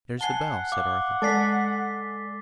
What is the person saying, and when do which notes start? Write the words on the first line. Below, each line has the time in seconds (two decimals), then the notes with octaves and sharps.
'There's the bell,' said Arthur.
0.21 F#5 G#5 A5 C7 G7
0.72 F5 D6
1.22 G#3 A4 D5 G#5 D6 A6 B6 C7